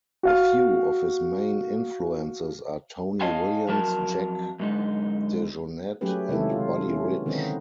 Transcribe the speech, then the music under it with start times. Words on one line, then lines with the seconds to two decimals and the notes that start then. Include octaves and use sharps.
A few of his main influences are Tony Williams, Jack DeJohnette and Buddy Rich.
0.23 F#4 F5 F6
3.21 C#5 D#5 F5 G#5 A5
3.68 F2 F#3 A#4 A5
4.60 F#2 D3 G#3 D#4
6.01 F#3 A3 C#4 G4 G#4 B4
6.29 C3 D#3 G#3 C4 E4 A4
6.51 F4
6.89 C#4
7.10 B3
7.26 D3 D#3 B3 C4 D#4 C5